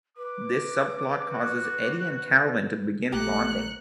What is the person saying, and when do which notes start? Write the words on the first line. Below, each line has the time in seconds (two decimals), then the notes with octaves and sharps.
This subplot causes Eddie and Calvin to begin bonding.
0.17 B4 D6
1.32 F#4
3.12 A#1 A3 G4 A#5 F#6 C#7